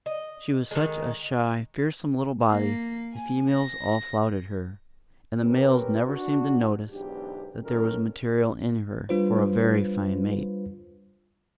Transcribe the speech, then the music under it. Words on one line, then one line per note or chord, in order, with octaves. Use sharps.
She was such a shy, fearsome little body, the females all flouted her; and the males never seemed to notice that there was material in her for a very fine mate.
D#5
D#3 G#3
A#3
G#5
A#6
C4 C#4 G4 A#4 B4
D4 F#4
B1 E2 G#2 D4 G4
A#2 D#3 F#3 C#4 A4 A#4
G3 D4 F4 B4 C5